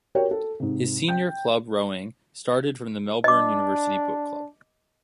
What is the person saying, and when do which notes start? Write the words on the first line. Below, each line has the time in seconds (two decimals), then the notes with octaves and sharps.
His senior club rowing started from the Melbourne University Boat Club.
0.15 F#4 G4 A#4 C#5 G5
0.31 A4
0.60 G#2 C3
1.08 G5 G6
3.24 D4 D#5 D6